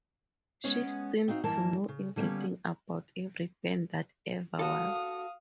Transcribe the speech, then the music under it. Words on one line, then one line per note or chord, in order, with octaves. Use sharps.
She seems to know everything about every band that ever was.
G#3 B3 C#4 C#5
C4 D#4 F#4 F5
G2 E3 G3 A#3 A#4 A5
C#3
D3 G3 A#3 B3 C#4
F#4 A4 F5 D#6